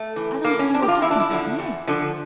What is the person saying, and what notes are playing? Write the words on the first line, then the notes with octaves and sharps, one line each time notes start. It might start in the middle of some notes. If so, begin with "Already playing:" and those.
"I don't see what difference that makes."
Already playing: A3
E3
A2 A#3
C#4
E3 D4
G4
F4
E2 E4
D4
E4
D3 F3
E2
D3 F3